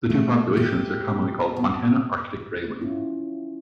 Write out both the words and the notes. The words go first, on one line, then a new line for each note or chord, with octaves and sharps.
The two populations are commonly called Montana Arctic grayling.
A3
G4
B2
C#4 E4 F4